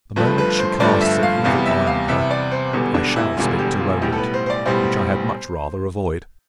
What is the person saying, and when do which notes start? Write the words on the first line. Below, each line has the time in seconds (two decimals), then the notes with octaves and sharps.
The moment she casts an evil eye on her, I shall speak to Rowland; which I had much rather avoid.
0.16 G1 G2 F3 A3 B4
0.38 B4
0.59 C5
0.80 G1 G2 F3 A3 D5
1.01 E5
1.23 F5
1.44 E2 C3 G3 B3 F5
1.66 E5
1.87 F5
2.08 E2 C3 G3 B3 E5
2.31 D5
2.51 C5
2.73 E1 E2 D3 G3 B3
2.94 D4
3.16 E4
3.37 E1 E2 D3 G3 B3 F4
3.59 G4
3.80 F4
4.02 B1 A2 G3 B3 G4
4.12 A4
4.18 B4
4.34 C5
4.46 C5
4.50 D5
4.65 B1 A2 G3 B3 C5